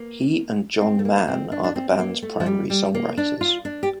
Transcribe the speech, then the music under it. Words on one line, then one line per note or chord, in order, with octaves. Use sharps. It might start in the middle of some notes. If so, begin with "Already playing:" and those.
He and John Mann are the band's primary songwriters.
Already playing: A#3
C4
A3
A#3
C4
D4
D4
C4
C4
A#3
A3
F3
G3
G3
A#3
D4
F4
D4
G4